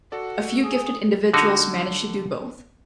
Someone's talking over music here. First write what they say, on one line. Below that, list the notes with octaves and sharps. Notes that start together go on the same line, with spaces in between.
A few gifted individuals manage to do both.
F#4 A4 D5 F#5
G#4 D#6
D3 D#4 F#4